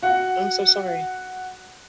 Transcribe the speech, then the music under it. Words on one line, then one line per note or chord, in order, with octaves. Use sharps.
I'm so sorry.
F#4 F#5